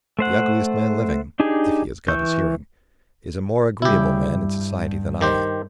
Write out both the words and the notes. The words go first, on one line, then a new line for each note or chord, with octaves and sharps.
The ugliest man living--if he has got his hearing--is a more agreeable man in society than I am.
A3 C5 F#5
D4 D#4 G4 G#4
E3 C#6 G6
C#3 G3 E4 G4
G2
D#3 G4 C5